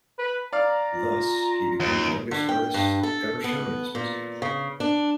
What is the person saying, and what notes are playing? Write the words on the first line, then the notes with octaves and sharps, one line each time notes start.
Thus, he became the youngest artist ever shown in this museum.
B4
D5 F5 A#5
F4
D#2
D3
G5
G2
A4
B3
A#2
C#3
D4